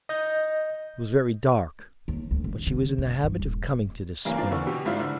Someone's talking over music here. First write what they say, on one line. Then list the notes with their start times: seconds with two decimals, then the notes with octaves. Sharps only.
It was very dark, but she was in the habit of coming to this spring.
0.09 D#5 G6
2.08 D#2
2.31 D2
2.44 F#1
2.67 D3
2.98 C#3
3.24 G2
3.40 D#1
4.25 G2 E3 A#3 C#4
4.37 A#3 C4 D4 F4
4.51 D3 E3 C#6
4.67 B2 G4
4.85 G#1 G#2 E4 F4 C5
5.00 D3